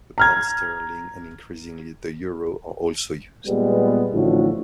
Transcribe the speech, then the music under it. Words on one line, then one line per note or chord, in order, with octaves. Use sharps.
The pound sterling and increasingly the euro are also used.
A#5 F6 G#6
A#2 G3 G#3 B3
A1 A2 D3 F3 F#4